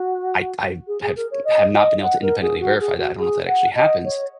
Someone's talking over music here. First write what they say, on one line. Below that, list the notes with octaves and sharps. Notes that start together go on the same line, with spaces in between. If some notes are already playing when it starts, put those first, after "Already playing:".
I I have have not been able to independently verify that, I don't know if that actually happens.
Already playing: F#4
G#4
G#4
A#4
C#5
D#5
D#5
F#5
A#4
G#4
F#4
G#4
F#4
G#4
F#5
D#5
C#5